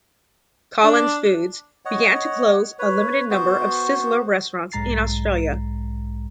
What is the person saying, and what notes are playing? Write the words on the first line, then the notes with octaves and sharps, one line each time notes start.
Collins Foods began to close a limited number of Sizzler restaurants in Australia.
D4
C#5 D#5 F#5
B4 C#5
B3 F#4 C5
B1 G#2 G#3 A#5 A6 C7